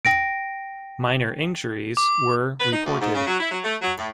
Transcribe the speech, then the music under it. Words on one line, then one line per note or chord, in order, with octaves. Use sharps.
Minor injuries were reported.
G5 A#6 D7
D6
B4
D#4
D2
G#2
C#3
F#3
E4
F#3
A3
F#3
A2